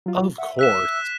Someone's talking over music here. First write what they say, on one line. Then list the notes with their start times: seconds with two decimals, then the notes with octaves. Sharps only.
Of course.
0.06 F#3 F4
0.38 E5 F#5
0.59 E6 F#6 B6 E7